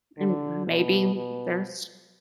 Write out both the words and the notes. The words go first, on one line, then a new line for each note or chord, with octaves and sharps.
And maybe there's
D3
B2
B2